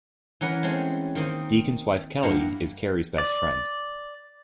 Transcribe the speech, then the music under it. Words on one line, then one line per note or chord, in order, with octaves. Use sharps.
Deacon's wife Kelly is Carrie's best friend.
E3 C#4 A#4 F#5 A#5 B5
G#3 A3 C4 C#4
D#3 A#3 C4 D#4
G2 A#3 E4 F#5 A#5
D5